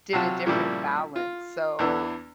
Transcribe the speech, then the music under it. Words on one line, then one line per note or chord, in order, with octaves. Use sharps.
did a different balance. So,
C3 F#3 F4 F#4 A5
G2 A#2 C#3 F3 G3 E4
F4
E2 E3 B3 D4 E4